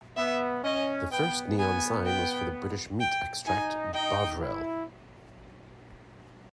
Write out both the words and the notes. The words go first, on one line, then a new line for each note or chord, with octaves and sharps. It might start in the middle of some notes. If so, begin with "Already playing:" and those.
The first Neon sign was for the British meat extract Bovril.
B3 E5
C#4 D#5
B3 G5
B3 G#5
G5
G5
D#4 G#5
D#4 G5
E4